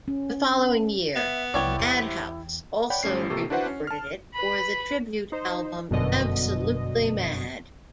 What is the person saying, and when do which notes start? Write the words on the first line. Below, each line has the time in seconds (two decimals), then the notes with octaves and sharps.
The following year, Mad'House also re-recorded it for the tribute album "Absolutely Mad".
0.08 C#4
1.16 B3 E5
1.54 C2 E4 G4 C#5 D5
1.79 E2 C3
2.90 C#5 D5 F#5 G5 B5
3.03 G#1 G3 A3 C#4 C7
3.30 A1 C3 A#3 G4 A4 C#6
3.50 D4 E4 F#4 B4 C5 F#5
3.66 C#4
3.87 A5 F6
4.34 B4 B5
5.32 D#4 C5
5.90 G1 F#2 B2 D3 D#5